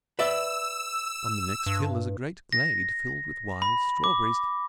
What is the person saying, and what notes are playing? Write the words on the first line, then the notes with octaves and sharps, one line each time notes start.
On the next hill is a great glade filled with wild strawberries.
B4 D5 E5 E6
G2
A#6
B5
D6